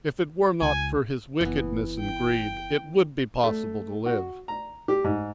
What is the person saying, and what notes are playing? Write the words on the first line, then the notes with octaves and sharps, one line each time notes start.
If it were not for his wickedness and greed, it would be possible to live.
C#2 G#5
F#1 E3 B3
G5
A3
F#4
A#5
G4
G#2